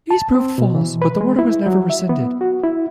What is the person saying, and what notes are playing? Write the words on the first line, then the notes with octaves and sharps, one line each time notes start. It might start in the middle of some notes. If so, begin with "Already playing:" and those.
These proved false, but the order was never rescinded.
A5
C4
B2
E3
B4
G#3
E4
F#3
E5
B3
F#4
E4